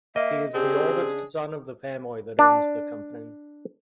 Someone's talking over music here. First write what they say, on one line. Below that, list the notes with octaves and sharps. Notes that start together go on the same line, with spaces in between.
He is the oldest son of the family that owns the company.
A#3 D#5 E5
C#3 C4 D4 G4 G#4
D4